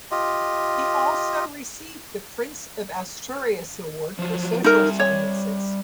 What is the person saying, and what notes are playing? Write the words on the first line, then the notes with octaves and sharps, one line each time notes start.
He also received the Prince of Asturias Award for Social Sciences.
F4 G4 D#5
F3 F#3 F4
G3 D#4 A#4 E5
C#5